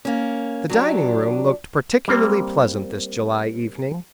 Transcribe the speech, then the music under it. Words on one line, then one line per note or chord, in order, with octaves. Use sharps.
The dining-room looked particularly pleasant this July evening.
A#3 C#4
F#3 D4 G4
G3 A#3 C4